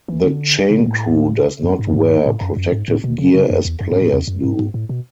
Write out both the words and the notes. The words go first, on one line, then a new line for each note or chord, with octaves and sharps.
The chain crew does not wear protective gear as players do.
E3
D3
C#3
B2
A2
F#2
G#2
F#2
G#2
A2
F#2
F#2
G#2
A2
B2
C#3
C#3
F#2
E2
F#2
G#2
A2
E2
F#2
G#2
G#2
A2
B2